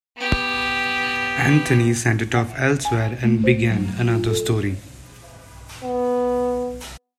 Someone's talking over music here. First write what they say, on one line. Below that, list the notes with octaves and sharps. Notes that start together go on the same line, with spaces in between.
Anthony sent it off elsewhere and began another story.
B3 G4
F#5
G#5
A3
C5
F#3
F4
A4
B3